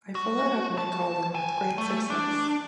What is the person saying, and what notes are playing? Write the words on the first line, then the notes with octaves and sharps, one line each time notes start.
I followed up my calling with great success.
F#4
A5
G5 G#5
A3
D4